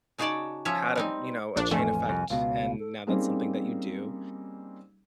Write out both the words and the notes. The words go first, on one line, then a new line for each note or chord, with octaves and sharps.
had a, you know, a chain effect, and now that's something that you do,
C#3 D#4 F#4 C#5 D5 A5
F3 C#4 C#5 E5
G3 C4 D#4
A#1 D4
A1 F2 A3 G#5
C2 F2
C#2 B2 F5
A4
G3 A#3 C4 C#4 D#4 G#4